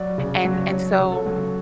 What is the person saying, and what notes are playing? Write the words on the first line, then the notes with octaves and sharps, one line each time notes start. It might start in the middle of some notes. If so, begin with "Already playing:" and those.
And and so
Already playing: F#3 D5
C#3
F#3
F#3 C#5
C#3
A4
F#3